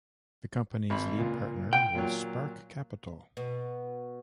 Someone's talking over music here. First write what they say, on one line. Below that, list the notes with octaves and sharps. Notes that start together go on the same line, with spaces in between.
The company's lead partner was Spark Capital.
G#1 B5
C#2 A#2
G5
A#2 F#3
B2